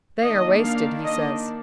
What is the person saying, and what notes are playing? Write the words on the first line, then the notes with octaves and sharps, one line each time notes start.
"They are wasted, he says."
D#3 A#3 D4 D#5
F5
D#5